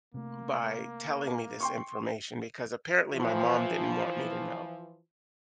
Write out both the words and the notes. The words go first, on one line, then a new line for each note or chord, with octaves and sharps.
by telling me this information? Because apparently my mom didn't want me to know
C3 A3 A#3
G5 C6 C#6
E3 F3